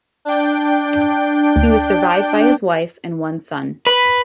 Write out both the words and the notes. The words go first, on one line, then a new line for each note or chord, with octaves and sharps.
He was survived by his wife and one son.
D4 G5
D2
B4